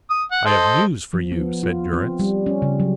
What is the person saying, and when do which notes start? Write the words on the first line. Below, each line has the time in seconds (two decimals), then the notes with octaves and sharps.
"I have news for you," said Durrance.
0.10 D#6
0.31 F#5
0.46 A4 C5 D#5
1.13 F3
1.32 B3
1.63 F4
1.93 C4
2.20 G3
2.46 C#4
2.62 C#3
2.80 F#3